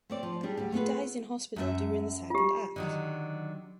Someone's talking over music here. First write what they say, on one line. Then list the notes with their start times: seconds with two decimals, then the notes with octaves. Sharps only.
He dies in hospital during the second act.
0.10 A3 C4 D5
0.23 F3
0.43 G3 D4 G4 G#4
0.57 D2 G3 G4
0.72 A3 B3 F4 G#4 B4
1.56 F#2 A3 E5
2.30 F4 G4
2.76 D3 D#3 F#3